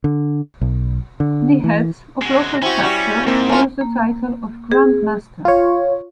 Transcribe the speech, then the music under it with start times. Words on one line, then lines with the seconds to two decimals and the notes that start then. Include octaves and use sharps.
The heads of local chapters use the title of "Grand Master".
0.04 D3
0.61 B1
1.20 D3
1.64 E3
2.22 G#3 F#4
2.62 C4 C#4 E4 F#4
2.79 G3 C#4 F#4
3.27 G#2 A#3 C4
3.49 A3 C#4 F4 A#4 A#5
3.81 A#3
4.72 G#4
5.45 F4 C#5